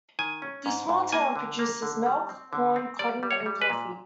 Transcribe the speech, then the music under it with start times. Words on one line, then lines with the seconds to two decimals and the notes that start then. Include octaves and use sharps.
The small town produces milk, corn, cotton, and coffee.
0.19 D#3 G#5
0.42 C#4
0.66 G#2
0.89 G#2
1.12 A#3 G#5
1.36 D3
1.59 A#3
1.82 D3
2.06 G3
2.29 C4
2.53 D3
2.76 C4
2.99 G3 D5
3.23 G3
3.31 C#5
3.46 G3
3.62 B4
3.70 A#2